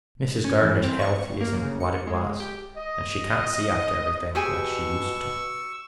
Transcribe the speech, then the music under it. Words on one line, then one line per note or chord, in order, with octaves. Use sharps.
Mrs. Gardener's health is n't what it was, and she can't see after everything like she used to.
C#4
E3
C4
C#6
A#3
C#3
C#7
G#3
G4
D#5
B2 G4 G#4 G#5 C#6 E6